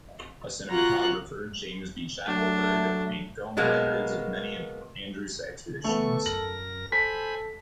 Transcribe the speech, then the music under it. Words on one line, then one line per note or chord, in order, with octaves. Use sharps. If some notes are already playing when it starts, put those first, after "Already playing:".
A cinematographer, James B. Shackelford, made filmed records of many of Andrews' expeditions.
F4 F#4 A#5 F#6
F#3 A3 D4
B2 F#3 G#3 A#3 B3
E3 A3 B3 A4 C#6
F#2 A#4 A#6 F#7
A4 C5 G#5 B5 B6